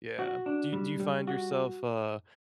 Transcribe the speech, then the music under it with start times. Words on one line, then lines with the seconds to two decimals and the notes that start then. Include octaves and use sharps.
Yeah, do do you find yourself, uh,
0.19 F#4
0.46 D4
0.73 G3
1.00 G3
1.27 F#4